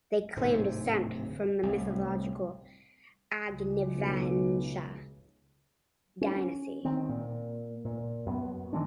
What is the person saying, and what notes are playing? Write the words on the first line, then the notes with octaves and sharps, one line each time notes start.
They claim descent from the mythological Agnivansha dynasty.
D1 G#2 C3
C2 A2
C#2
B1
C#4
D#3 C4
A#2
A#2
F#2 B3
D#3 E3 G#3 D4